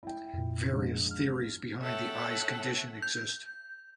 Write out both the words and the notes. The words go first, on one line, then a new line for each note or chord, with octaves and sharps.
Various theories behind the eye's condition exist.
E4 G5
F2 A#2
A#1 G#2
F6
A4 C#5 E5 F#5 G5 A5
G6